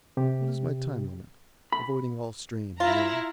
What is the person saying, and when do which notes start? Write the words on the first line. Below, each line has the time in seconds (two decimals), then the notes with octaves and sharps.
What is my time-limit, avoiding all strain and worry?'
0.17 C3 G4
1.72 B5
2.80 E4 F4 A#5